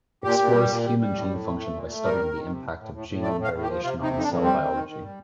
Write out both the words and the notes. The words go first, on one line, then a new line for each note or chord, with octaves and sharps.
Explores human gene function by studying the impact of genome variation on cell biology.
A#2 G4
A#2
G3
A#2
G3
G3
A2
A2
A3
A3
A#2
A3
G3 A#4
D#3
D#3
C3
A2
A2
A2
A2
A3 D5
A2
F5
A2
G4
F3
C3 F4
C3 D#4
F2 D#4
D4
F2
G3 C4
D#3
D#3
D#3
G3